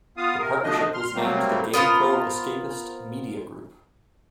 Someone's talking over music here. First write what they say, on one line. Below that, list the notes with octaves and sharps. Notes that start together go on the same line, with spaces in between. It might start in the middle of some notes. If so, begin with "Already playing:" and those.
The partnership was named the Gamepro Escapist Media Group.
B3 F4 F5 D#6
C3 A#4
B2 F3 A3 D4 D#5
C6 F6
C3 F#3 G3 A3 A#3 C4
B3 F4 A#4 C5